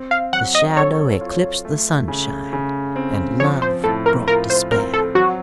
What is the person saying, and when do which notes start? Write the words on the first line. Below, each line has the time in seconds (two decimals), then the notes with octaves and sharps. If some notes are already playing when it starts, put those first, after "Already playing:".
The shadow eclipsed the sunshine, and love brought despair.
Already playing: C4
0.11 F5
0.33 F#3 F#5
0.55 D#5
0.77 A4 C#5
1.21 F4
1.65 A3
2.08 C#3
2.53 C#3
2.96 C4
3.40 F3 C#5
3.62 C5
3.84 A2 A4
4.06 A#4
4.27 F4 A#4
4.50 C5
4.72 C4 A#4
4.94 A4
5.15 F#3 F#4